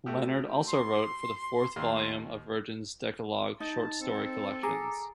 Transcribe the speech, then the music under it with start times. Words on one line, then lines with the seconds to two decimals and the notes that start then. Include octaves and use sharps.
Leonard also wrote for the fourth volume of Virgin's Decalog short story collections.
0.06 A3 F#4 G4
0.67 C6
1.76 D#2
3.60 D#4 A5
4.02 C4 A4
4.63 G#4 A#5 D6